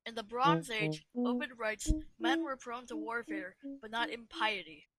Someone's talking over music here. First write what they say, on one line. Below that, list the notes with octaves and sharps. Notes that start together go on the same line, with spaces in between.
In the Bronze Age, Ovid writes, men were prone to warfare, but not impiety.
E3
D#3
B3
D#4
E4
D#4
D#4
C#4
D#4
E4